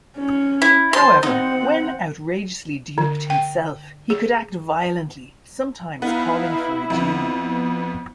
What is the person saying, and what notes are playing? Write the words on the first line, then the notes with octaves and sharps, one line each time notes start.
However, when outrageously duped himself, he could act violently, sometimes calling for a duel.
C#4
E4
C5 A5 C6
C4 D#4 F#5
D3
G5
G#4
B3 D#4 E4 B4 F5
F2 B3